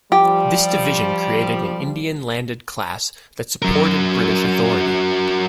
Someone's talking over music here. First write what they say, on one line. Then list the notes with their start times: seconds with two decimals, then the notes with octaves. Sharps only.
This division created an Indian landed class that supported British authority.
0.12 F3 G3 G4
3.62 F#3 A#4